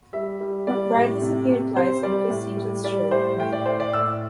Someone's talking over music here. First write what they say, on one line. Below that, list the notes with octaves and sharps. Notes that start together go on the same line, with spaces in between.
McBride has appeared twice on Criss Angel's show MindFreak.
G3 E5
G3
G3 D5
A2
C3
C3
C3 C5
G3 D5
A2
G3
G3 D5
A2 C5
A2 G5
D5
A2 C5
D5
A2 E6